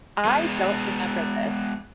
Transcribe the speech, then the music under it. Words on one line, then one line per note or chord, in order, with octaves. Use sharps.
I don't remember this
G#3 B3